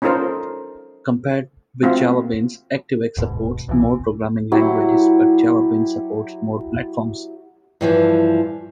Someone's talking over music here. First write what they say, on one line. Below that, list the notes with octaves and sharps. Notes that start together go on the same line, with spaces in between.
Compared with JavaBeans, ActiveX supports more programming languages, but JavaBeans supports more platforms.
C#4 D#4 F4 A4 A#4 C5
A3 C4 F4 F#4
D#1 G#2 B2
B1 B2 D#3 E3
F#3 E4 G4
G2 E3 F3